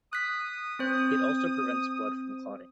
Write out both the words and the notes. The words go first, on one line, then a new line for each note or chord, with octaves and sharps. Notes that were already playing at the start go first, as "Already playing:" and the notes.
It also prevents blood from clotting.
D#6 F#6 B6
C4 C5